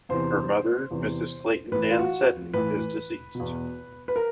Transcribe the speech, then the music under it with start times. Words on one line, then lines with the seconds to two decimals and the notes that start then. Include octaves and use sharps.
Her mother, Mrs. Clayton Dann Seddon, is deceased.
0.09 E2 C3 E3 C5
0.91 E2 C3 E3
1.72 A2 E3 B4
1.91 F4
1.99 F#4
2.54 A2 E3 B4
3.35 B2
3.40 E2
4.08 B4
4.16 A#4